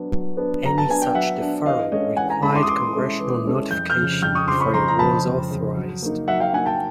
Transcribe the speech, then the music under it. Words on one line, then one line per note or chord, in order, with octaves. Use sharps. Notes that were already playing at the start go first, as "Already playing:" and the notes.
Any such deferral required congressional notification before it was authorized.
Already playing: F#3 B3 D4
F#3
B3 D4
F#3 A#5
A5
B3 D4 G#5
G5
F#3 E5 F#5
B3 D4
E3 D#5 F5
G#3 C#4 E4 A4 C#5 D#5
E3 F#5 G#5
G#5 A#5
G#3 C#4 E4 A4 A5 B5
C6 D6
D#6
E3 C6 D6
G#3 C#4 E4 A4
E3
G#3 C#4 E4 A4
F2 G6
F6 G6
C#3 F3
F2 F6 G6
C#6 D#6
C#3 F3 C6 D6
B5 C#6
F2 A#5 C6
A#5
C#3 F3 A5 B5
F2
C#3 F3
F#3
A#3 D#4
F#3 E5 F#5
F5 G5
A#3 D#4 F#5 G#5
G5 A5